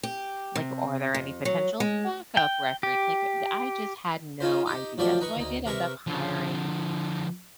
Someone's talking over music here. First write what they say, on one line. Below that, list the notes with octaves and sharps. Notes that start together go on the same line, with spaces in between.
like, are there any potential backup records, like, i I just had no idea, so I did end up hiring
G4
C3
F2
F#3
G#3
G5
G4
C#4 D#4 F4 C5
D#4 G4
F#2 F3 A3 D5 E5 G5
D#4 B4 C#6
D2 D#4
C3 A#4 B4 E5 C#6
D3 F3